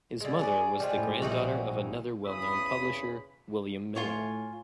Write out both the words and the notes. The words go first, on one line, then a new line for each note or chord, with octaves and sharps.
His mother was the granddaughter of another well-known publisher, William Miller.
D3 G#3
F#3 G#4 D5
G3 G#3 F4 G4 C5
A2
A#1 E3 G3 C4 D#4 F#4
E2 C#3 B5 D#6
A2 F4 C#5 G#5